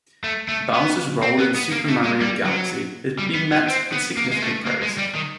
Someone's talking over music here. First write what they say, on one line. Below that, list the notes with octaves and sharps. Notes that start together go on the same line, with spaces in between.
Bowser's role in "Super Mario Galaxy" has been met with significant praise.
A3
A3
B3
C4
B3
B3
A#3
A3
G#3
G3
F#3
G3
B3
B3
C4
B3
A#3
G#3
A3
A#3
G#3
G3
D#3